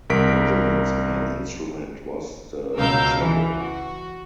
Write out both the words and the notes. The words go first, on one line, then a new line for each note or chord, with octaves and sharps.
Benjamin's main instrument was the cello.
C2 A#4 B6 D7
C#2 B2 A#4 F5 E6 G6
E3
F#4